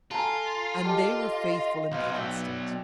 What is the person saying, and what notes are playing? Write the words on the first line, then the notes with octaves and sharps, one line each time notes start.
And they were faithful and constant.
F4 A4 G#5 A#5
G4 A4 D5 D#5
B1 B2 C5 F5
D5 E5 G5